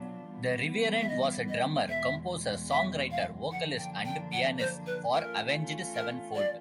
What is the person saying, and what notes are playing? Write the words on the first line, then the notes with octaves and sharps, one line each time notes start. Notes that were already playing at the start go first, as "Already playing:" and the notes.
The Reverend was a drummer, composer, songwriter, vocalist and pianist for Avenged Sevenfold.
Already playing: B2 F#3 B3 D4 F4
E3 G3 B3
E5
D#5
D#5
E2 B2 G#3 E5
E5
F5
F#2 D3 F3 A#3 D4 F#5
G5
G5
F#5
C5
B4
E3 A3 C#4 F4 A#4
A#4
D5